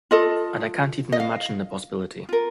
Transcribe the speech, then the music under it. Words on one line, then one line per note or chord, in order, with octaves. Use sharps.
And I can't even imagine the possibility.
F4 A4 D#5
D#5
F5
F4 A#4